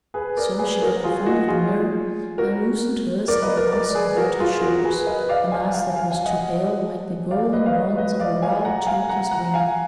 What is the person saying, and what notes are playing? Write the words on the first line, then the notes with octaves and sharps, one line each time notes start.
So she got in front of the mirror and loosened hers in a mass about her shoulders--the mass that was to Hale like the golden bronze of a wild turkey's wing.
G#4 B4
A#4 D5
G#4 B4
F#4 A#4
F4 G#4
D#4 F#4
F4 G#4
F#4 A#4
A#4 D5
B4 D#5
A#4 D5
A#4 D5
G#4 B4
F#4 A#4
F4 G#4
F#4 A#4
G#4 B4
B4 D#5
D5 F5
F5 G#5
F#5
F5 G#5
F5 G#5
F5 G#5
D#5 F#5
D5 F5
B4 D#5
F5
B4 D#5
B4 D#5
D5 F5
F5 G#5
F#5 A#5
F5 G#5
F#5 A#5
F#5 A#5
F5 G#5